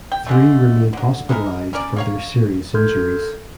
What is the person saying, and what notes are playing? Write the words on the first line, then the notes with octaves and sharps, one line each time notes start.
Three remained hospitalized for their serious injuries.
G5
D3 G#3 A3
D3 F#3
G#3 D#4 E4 A#4
C#4 A#4 D5
A#3 C#5 F5
A4 A#4 C6 F6 G6 G#6